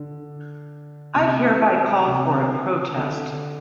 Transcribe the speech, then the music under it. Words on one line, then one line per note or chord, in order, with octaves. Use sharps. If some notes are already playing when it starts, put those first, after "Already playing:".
I hereby call for a protest.
Already playing: D3
C3
C3
D3